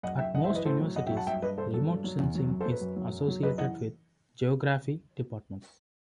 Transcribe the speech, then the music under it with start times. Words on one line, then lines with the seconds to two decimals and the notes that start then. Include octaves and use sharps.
At most universities remote sensing is associated with Geography departments.
0.03 F#2 D#5 F#5
0.19 F#2 E5 G5
0.34 F#2 D#5 F#5
0.44 C5 E5
0.50 E3
0.55 B4 D#5
0.65 A2 A4 C5
0.81 F#3
0.96 F#2 D#5 F#5
1.07 E5 G5
1.11 F#3
1.17 F#5 A5
1.27 G2 E5 G5
1.42 G2 B4 D#5
1.58 G2 A4 C5
1.73 F#3 A4
1.89 G2
2.04 F#3
2.20 E2
2.35 F#3
2.50 F#2
2.61 A4 C5
2.66 F#3
2.71 B4
2.81 F#2
2.96 F#3
3.12 F#2
3.28 F#3
3.43 F#2 B4 D#5
3.58 E3 D#5 F#5